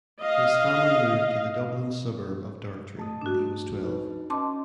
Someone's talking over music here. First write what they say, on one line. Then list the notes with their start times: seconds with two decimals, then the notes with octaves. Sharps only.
His family moved to the Dublin suburb of Dartry when he was twelve.
0.22 D#5 F5
2.97 A3 A5 D#6
3.21 D4 F#4
3.83 D#4 B4
4.30 C#4 D#5 A5 C6 D6